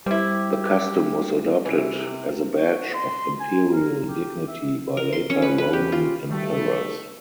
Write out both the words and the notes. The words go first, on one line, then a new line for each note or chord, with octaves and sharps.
The custom was adopted as a badge of imperial dignity by later Roman emperors.
G3 C4 E4 G4
C3 E3
F#4
C6
G#5
A#4
G4
E5
A#4
C6
C#4
B4
B4
G4
F4
D#3 G3 A3